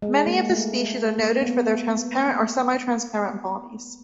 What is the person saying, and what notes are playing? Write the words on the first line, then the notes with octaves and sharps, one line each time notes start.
Many of the species are noted for their transparent or semi-transparent bodies.
G#3
A#3
A3
A#3
B3